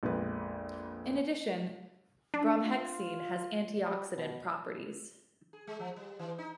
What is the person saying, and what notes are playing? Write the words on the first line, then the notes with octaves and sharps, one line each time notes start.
In addition, bromhexine has antioxidant properties.
A#1 F2 G#3 B3 B4
D4
F4
G3
B2
G#4
G#3
F3
G3
E3
D#4